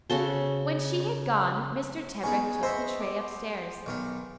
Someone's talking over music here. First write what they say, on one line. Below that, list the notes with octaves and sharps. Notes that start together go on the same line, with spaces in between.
When she had gone Mr. Tebrick took the tray upstairs.
C#3 F#4 A4 C5
G#3 B3 C#4 D#4 G#4 C#6
B3 C5 D#5 E5 B5 C#6
D6
B1 D#3 C#5